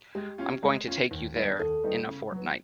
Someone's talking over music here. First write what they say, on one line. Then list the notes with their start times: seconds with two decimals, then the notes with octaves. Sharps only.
I'm going to take you there in a fortnight.
0.15 G#3 G4
0.38 C#4 F4
0.63 G#3
0.88 C#4 F4
1.11 D#2
1.35 D#3 G3 B3 D#4
1.59 D#2 A4
1.84 D#3 G3 B3 D#4
2.07 C#3
2.32 F#3 B3